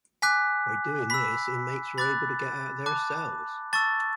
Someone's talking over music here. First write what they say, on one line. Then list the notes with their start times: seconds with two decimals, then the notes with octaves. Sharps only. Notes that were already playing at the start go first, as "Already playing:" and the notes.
By doing this inmates were able to get out of their cells.
0.22 G#5 D6 F#6 B6
1.10 B5 E6 B6
1.98 B5 D6 F#6 A6
2.86 A5 D6 F#6
3.73 A5 C#6 E6 A6